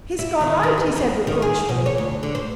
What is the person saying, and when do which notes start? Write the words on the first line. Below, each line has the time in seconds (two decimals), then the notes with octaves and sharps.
"He's got out," he said reproachfully.
0.19 E4
0.41 D#3
0.63 D#3
0.78 E2
0.96 E2
1.27 D#3
1.42 G#4
1.69 B2
1.86 C#5
1.98 D2
2.23 D3
2.35 C5